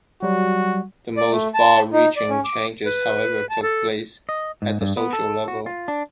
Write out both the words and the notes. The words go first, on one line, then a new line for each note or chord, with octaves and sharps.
The most far-reaching changes, however, took place at the social level.
F#3 G3 F#4
D5
A3
A5
D#4
D5
C#4
D6
B4
A5
A4
D#5
G#2
G2
B3
A4
F#4
F4
D4